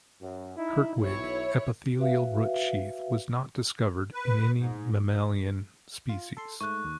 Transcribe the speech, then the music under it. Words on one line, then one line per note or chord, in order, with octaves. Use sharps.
Hertwig epithelial root sheath was not discovered in any mammalian species.
F#2
D#4 E4
B1 E4 C#5
F#4 B4 E5 F5
B4
G#2
F4
A4 C6
G#2 A3 C#6 F#6
D#2